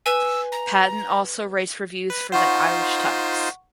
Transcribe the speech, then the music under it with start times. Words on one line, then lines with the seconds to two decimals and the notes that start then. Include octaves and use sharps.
Patten also writes reviews for The Irish Times.
0.06 B4 G#5 E6
0.52 A#5
2.10 B4
2.32 D#4 F4 C5 F#5 C#6